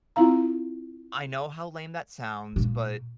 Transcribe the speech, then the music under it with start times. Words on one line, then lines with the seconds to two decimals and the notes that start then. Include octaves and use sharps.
I know how lame that sounds, but
0.16 C4 E4 F4 F5 A#5
2.56 A#2